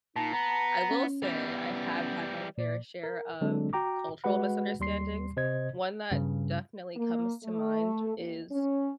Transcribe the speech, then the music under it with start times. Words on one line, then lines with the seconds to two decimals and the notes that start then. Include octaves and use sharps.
I will say, I have had my fair share of cultural misunderstandings. One that definitely comes to mind is
0.16 A#2 D#4 A5
0.33 B3 A#5
0.91 C#4
1.22 E3 G3 B3
2.58 A#2 D5
3.03 A#4
3.41 D3 F#3 G#3 C4 D4 A4
3.73 F#4 G5 A#5 D6
4.24 G#3 F#4 B4 F#5 B5
4.80 D#2 G3 C6 C7
5.37 C3 C5 D#5 G#6
6.11 G2 C#3
6.96 A#3
7.43 A3
8.16 D#2
8.50 C#4